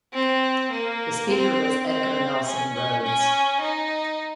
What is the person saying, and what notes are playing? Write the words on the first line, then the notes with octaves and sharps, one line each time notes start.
The Speaker was Edgar Nelson Rhodes.
C4
A#3
C4
C4
C#4
C#4
C#4
D#4